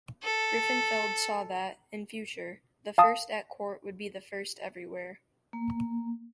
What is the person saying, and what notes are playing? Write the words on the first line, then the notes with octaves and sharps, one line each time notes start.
Griffenfeld saw that, in future, the first at court would be the first everywhere.
A4
F5 A5 D#6
A#3